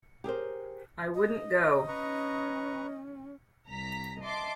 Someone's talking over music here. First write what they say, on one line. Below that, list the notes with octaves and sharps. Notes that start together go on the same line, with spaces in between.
I wouldn't go.
G4 G#4 A#4 C5
D#5
C#4 B4 A#5 C#6
C2 A#5 B6
D#5 E5 A5 C6 D6